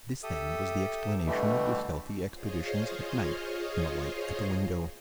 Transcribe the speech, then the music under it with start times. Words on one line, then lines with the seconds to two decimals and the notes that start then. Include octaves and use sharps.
This, then, was the explanation of the stealthy expeditions at night and the light at the window.
0.23 G4 A4 E5 D#6
1.26 B2 D3 E3 G3 A3
2.30 F4 G#4 C5 C#5 D#5 F5